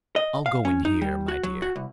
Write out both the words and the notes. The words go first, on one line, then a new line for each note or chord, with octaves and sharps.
"I'll go in here, my dear."
D#5
F5
C#4
D#4
G3
F#4
F#3
F#4
C2